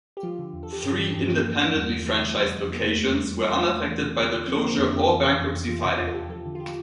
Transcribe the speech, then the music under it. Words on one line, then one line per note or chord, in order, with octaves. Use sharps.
Three independently-franchised locations were unaffected by the closure or bankruptcy filing.
G4
F3 F4
D3
E2
A4
E2 G4
G2 A4
E3
G2 G4
A3
E3 A#3
F3
D3
E2 G3
E2
E3 A3
C3 G3
F2 G3
F2
F3
A#3
C3 A3
E2 G3
E2
E3
C3
E2 A3
E2
E3 A3
C3
D2
D2
F3 C4
A#3
D3 C4
F2 D4
E4
F2
G4
E3
C3
F2
F2
E3 F4
E4
C3 F4
E2 F4
A4
E2 G4
F3 A4
D3
F4
G4